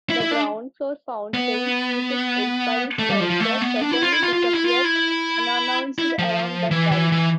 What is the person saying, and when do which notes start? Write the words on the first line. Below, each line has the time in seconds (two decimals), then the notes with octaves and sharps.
The ground-floor fountain, with its inspiring sculpture, certainly disappeared unannounced around that time.
0.10 E4
0.21 E4
0.31 D4
1.34 B3
2.99 A3
3.10 G3
3.20 F3
3.30 F3
3.40 A3
3.61 B3
3.82 D4
3.91 E4
4.02 F4
4.12 E4
4.23 F4
4.33 F4
4.44 F4
4.54 E4
4.64 F4
4.84 E4
5.99 E4
6.19 F3
6.71 E3
6.91 E3
7.12 E3